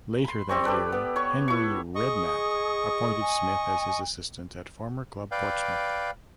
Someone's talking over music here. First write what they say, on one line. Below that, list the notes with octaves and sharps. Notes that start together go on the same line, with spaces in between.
Later that year, Harry Redknapp appointed Smith as his assistant at former club Portsmouth.
B5 C6
G3 C4 C#6
G4 A4 B4 D5
B3
C#5 C#6
E4 C#6
G#4 D#5 C#6
G#5
B4 D5 F5 G5